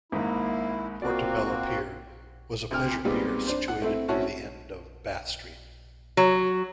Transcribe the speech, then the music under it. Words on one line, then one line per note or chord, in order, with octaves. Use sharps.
Portobello Pier was a pleasure pier situated near the end of Bath Street.
G#1 G#2 A#3 E4
A#3 C4 F4 F#4 A#4 D5
D2 C3 G5 F6
A#2 G3 G#3 B3 C4 D#4
D4 C5
F#5
A3 C4 E4
C4 C#4 E4 F#4 C#5 A5
F#3